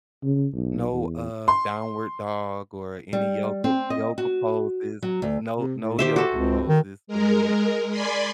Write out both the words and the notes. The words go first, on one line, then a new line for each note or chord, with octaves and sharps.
no, uh, downward dog or any yoga yoga poses. No no yoga poses for me.
C#3
B1
E2
C6
G3
C4
D#5
F#4
F#3
D2
C3
A2
D#3 G4 C5 E5
F#4 A4
C#2 C4
D#3
G#3 A#4
D5 G#5 B5 C6